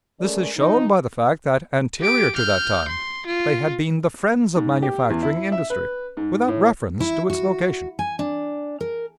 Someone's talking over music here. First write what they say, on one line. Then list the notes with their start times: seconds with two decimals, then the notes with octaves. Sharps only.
This is shown by the fact that anterior to that time they had been the friends of manufacturing industry, without reference to its location.
0.20 G#3 A3 C#4 G#4 A#4 D5
0.57 C3 E3 F3 D#4
2.00 G4 D7
2.35 F6 G6
2.88 C6
3.26 F4
4.56 G#2
4.82 G4
5.10 E2
5.23 E4
5.52 E5
5.70 B4
6.17 G#2
6.48 A2
7.00 E4
7.30 F#4
7.99 G#5
8.19 D4
8.81 A#4